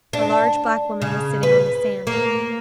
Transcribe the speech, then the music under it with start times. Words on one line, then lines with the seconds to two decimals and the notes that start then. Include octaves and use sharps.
A large black woman was sitting on the sand.
0.13 D4
1.02 C#3
1.43 B4
2.07 A#3